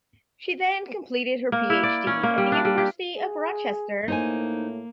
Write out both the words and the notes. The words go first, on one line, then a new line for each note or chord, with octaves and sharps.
She then completed her PhD at the University of Rochester.
A#3
E4
D5
C#4
A#3
G3
D4
G3
G4
G#4
A2 A#3 D#4 C5 G#5